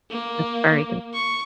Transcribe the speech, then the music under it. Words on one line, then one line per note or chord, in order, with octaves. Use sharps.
That's very good.
A#3
C#6